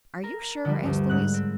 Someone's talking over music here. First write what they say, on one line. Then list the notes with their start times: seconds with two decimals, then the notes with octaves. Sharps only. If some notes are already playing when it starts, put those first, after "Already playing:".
"Are you sure?" asked Louise.
0.24 A#4
0.65 D3 F3 G3
0.83 D2 G2
1.09 G#2 F#6
1.34 C4